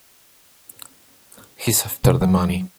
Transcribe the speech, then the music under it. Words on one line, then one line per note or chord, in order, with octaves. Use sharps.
He's after the money.
C3
F#3